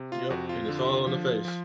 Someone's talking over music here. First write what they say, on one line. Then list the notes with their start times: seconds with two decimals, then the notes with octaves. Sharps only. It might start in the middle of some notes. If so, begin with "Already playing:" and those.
Yep, and it's all on the face.
Already playing: C3
0.12 F4
0.30 F2 F#4
0.49 F4
0.68 D3
1.07 F3
1.45 F3